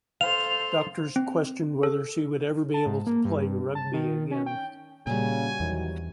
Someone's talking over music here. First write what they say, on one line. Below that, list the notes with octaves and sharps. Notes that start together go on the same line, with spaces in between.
Doctors questioned whether she would ever be able to play rugby again.
A4 C5 F5 F7
C4
A4
A5
G#2
A#3
G2
A5
D#3
C#4
G5
A#2 C#3 G3 F#4 G#5
E2 C3 D#3 F#3